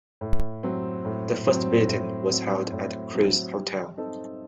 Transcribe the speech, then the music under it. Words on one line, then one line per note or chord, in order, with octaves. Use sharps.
The first meeting was held at Craig's Hotel.
A2
F#3 C4
A2
F#3 C4
A2
F#3 C4
A2
F#3 C4
G3
C4 D#4 A4